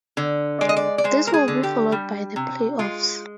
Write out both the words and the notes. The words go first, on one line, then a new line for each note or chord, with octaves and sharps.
This will be followed by the playoffs.
D3
G#3 D5
D#5
D5
D5
G#3 C5
A#4
G#4
D3
G4
G3
C3
G#3 F4